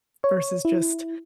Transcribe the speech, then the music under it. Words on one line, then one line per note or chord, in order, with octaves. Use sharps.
versus just,
C#5
E4